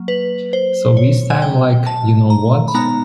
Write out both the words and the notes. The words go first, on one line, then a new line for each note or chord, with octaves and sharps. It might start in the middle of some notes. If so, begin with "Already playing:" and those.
So this time, like, you know what?
Already playing: F#3 A#3
B4
C5
C#5
G#5
G5
A5
A#5
B5
G#3 B3 D#4 A#5